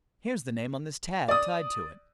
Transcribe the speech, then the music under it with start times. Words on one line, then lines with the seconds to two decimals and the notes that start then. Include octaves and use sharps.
Here's the name on this tag tied to it.
1.28 D5 D#6